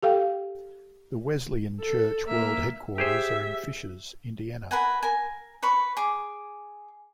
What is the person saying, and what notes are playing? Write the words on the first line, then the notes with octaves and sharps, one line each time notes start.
The Wesleyan Church world headquarters are in Fishers, Indiana.
G4 A4 F5 G5
A4
A#3 E5
G4 G#4 C5 E5
A#4 B4 F#5 G#5
A#4 G#5
B4 C#5 B5 C#6
G#4 D6